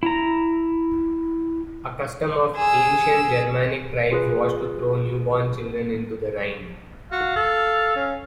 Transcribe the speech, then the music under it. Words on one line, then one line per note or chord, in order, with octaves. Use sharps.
A custom of ancient Germanic tribes was to throw newborn children into the Rhine.
E4 A#5
G#4 E6
F4 G#4 B4
F#4 F5
A4
C#4